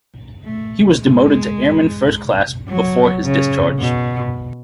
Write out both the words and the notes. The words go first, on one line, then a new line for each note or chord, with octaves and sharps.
He was demoted to Airman First Class before his discharge.
A3
G#3
F#3
C#3
B2